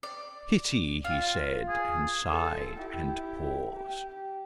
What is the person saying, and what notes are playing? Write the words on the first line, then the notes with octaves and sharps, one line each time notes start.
"Pity!" he said, and sighed and paused.
D5
F4
G#4
F4 A4
E4 G4
G4